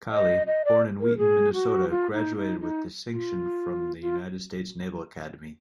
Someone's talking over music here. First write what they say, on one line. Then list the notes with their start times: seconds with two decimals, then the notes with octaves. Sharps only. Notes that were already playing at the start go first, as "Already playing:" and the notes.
Colley, born in Wheaton, Minnesota, graduated with distinction from the United States Naval Academy.
0.12 D#5
0.47 D#5
0.65 D5
1.01 A#4
1.18 G#4
1.53 F#4
1.89 F4
2.12 D#4
2.37 D#4
2.60 D#4
3.07 F4
4.01 F4